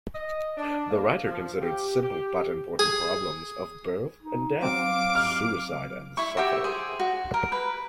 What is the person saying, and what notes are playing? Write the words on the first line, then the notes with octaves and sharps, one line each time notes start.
The writer considered simple but important problems of birth and death, suicide and suffering.
D#5
D4
A#3
F3
G4
G4
G#4
D#4
F#3 C4 F5 D6
F6
E4 C#6
F#4 G4 E5 G5
G#4 C5
F#4
A#4
B4